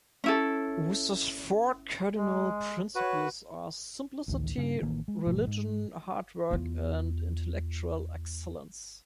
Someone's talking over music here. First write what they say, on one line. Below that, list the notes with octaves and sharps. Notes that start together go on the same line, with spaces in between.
Wooster's four cardinal principles are simplicity, religion, hard work, and intellectual excellence.
C#4 E4 A4
G#3
F#4 B4 C#5
A1 D2 D#3
G2 C#3
A1 D#3 A#3
G#3
G#1 B2 F3 A3
G#2
E2 F4